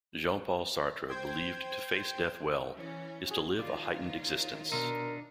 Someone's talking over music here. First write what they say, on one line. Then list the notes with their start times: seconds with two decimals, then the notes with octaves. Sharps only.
Jean-Paul Sartre believed to face death well is to live a heightened existence.
1.08 C5 G5 G6 G#6
2.75 E3 C#4
3.28 F#4 G#4
3.59 D#3 F4 C#5 D5
4.72 B2 D4 D#4 A#4 C6 E6